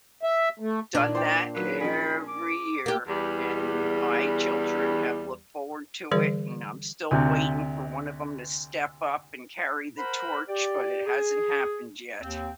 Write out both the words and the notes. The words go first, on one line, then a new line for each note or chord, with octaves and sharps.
done that every year, and my children have looked forward to it, and I'm still waiting for one of 'em to step up and carry the torch, but it hasn't happened yet.
E5
A3
A#2 D4
C5 D5 G5
D#3 F#3 A#3 B4
F3 C#4 G#4 B5
D6
A#3 G4
E2 G3
D3 E3 G3 G#4 A#4 D5
D2 C3
A#4 C5 F#5 A#5 B5
G4 D5
G#4
D#2 C4